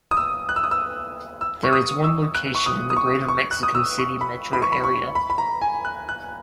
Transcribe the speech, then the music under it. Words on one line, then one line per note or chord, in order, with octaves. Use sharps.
There is one location in the Greater Mexico City metro area.
D#6
E6
F#6
E6
D#6
E6
E6
C#6
D#6
E6
F#6
C#6
D#6
D#6
C#6
C#6
F#6
D#6
E6
C#6
B5
B5
C#6
B5
C#6
B5
B5
A#5
G#5
F#6
F#6